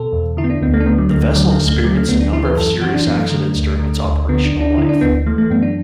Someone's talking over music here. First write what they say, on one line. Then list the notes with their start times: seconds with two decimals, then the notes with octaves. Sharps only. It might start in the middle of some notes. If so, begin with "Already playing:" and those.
The vessel experienced a number of serious accidents during its operational life.
Already playing: B2 A4
0.12 E2
0.37 D3 E4
0.44 B3
0.50 D4
0.61 D2 B3
0.74 A3
0.80 D4
0.86 D3 B3
0.98 F#3
1.10 D2 A3
1.22 A3
1.35 D3 F#3
1.51 A3
1.60 D2
1.67 A3
1.84 D3 F#3
1.97 A3
2.08 D2 B3
2.21 D4
2.33 E3 E4
2.45 B4
2.57 F#2 A4
2.82 E3 F#4
2.94 D4
3.07 F#2 B3
3.18 A3
3.30 D3
3.55 D2
3.79 D3
4.05 D2
4.29 D3 B3
4.45 D4
4.53 D2
4.60 D4
4.77 D3 E4
4.89 D4
5.01 D2 B3
5.26 E3 A3
5.38 A3
5.50 F#2 B3
5.62 D4